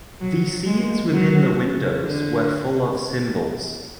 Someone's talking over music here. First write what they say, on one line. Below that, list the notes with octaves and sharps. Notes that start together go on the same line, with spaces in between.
The scenes within the windows were full of symbols.
F#3
G#3
F#3
D3